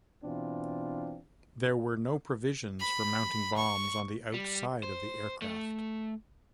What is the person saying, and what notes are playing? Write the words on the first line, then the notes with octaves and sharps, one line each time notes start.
There were no provisions for mounting bombs on the outside of the aircraft.
B2 E3 C4 D4 F4
B5
C#6
G3
C5
A3